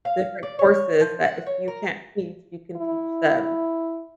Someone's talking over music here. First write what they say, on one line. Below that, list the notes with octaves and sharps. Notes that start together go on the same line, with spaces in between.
different courses that if you can't teach, you can teach them.
F5
D5
C#5
F3
F#5
C#5
A#4
E4